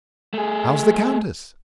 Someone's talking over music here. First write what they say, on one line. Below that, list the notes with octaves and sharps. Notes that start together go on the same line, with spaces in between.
How's the countess?
A3 G#4